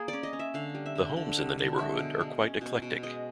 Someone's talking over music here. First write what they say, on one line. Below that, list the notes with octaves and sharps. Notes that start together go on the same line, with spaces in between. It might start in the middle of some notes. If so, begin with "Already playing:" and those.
The homes in the neighborhood are quite eclectic.
Already playing: A#3 G#4
C#4 D5
D#5
C#4
E5
D3 F5
G3
E5
D3
D3
G3
D3
G#3 E5
B2
G#3
C#4
B2
B2
G#3 D#5